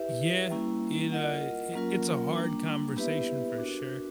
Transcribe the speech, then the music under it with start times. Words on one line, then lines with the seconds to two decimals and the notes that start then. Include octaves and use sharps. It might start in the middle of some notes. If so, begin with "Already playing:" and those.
Yeah. It, uh, i it's a hard conversation for sure.
Already playing: E4 G4 B4 E5
0.50 G3 A#3 C#4 E4
1.12 F4 A#4 D#5 F#5
1.74 F#3 A#3 C#4 F4 A#4
2.36 G3 A#3 D4
2.97 B3 E4 G4 B4 E5
3.58 D4 F#4 A#4